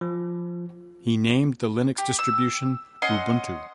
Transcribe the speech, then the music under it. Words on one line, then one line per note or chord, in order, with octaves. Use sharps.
He named the Linux distribution Ubuntu.
F3
G4
E6
C#4 D#5 F#5 C6